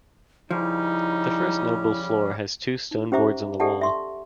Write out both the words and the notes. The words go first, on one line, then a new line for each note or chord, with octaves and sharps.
The first noble floor has two stone boards on the wall.
C#3 F3 G3 C#4 D#4 E4
D#4
C#4 G4 C5 E5 A#5 D6
G4 A4 D5 E5 F#5 A5
E5 C6 C#6